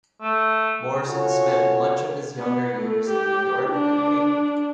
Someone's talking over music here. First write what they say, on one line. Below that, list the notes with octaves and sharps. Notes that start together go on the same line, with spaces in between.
Morison spent much of his younger years in New York and Maine.
A3
C#4 F4 F#4 A4 C#5
B3
A3
G4
D4